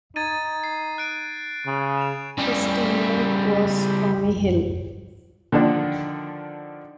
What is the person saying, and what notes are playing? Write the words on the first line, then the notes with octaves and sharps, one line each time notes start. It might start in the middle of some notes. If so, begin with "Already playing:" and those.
His teammate was Tommy Hill.
D#4 G#6 A6 D#7
C7
F#6 D7
C#3
E7 F7
C#3 G3
D3 D#3 F3 D4